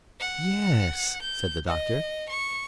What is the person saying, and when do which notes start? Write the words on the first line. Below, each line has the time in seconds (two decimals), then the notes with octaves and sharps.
"Yes," said the Doctor.
0.20 F#5
1.22 G6
1.67 D#5
2.29 C#6